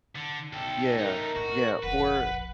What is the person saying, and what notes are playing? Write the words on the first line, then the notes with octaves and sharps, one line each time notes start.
Yeah, yeah, or
D3
B1 A4 G5
A3 D#4 A#4
A2 E4 F#4
F1 A#1 B4 F#5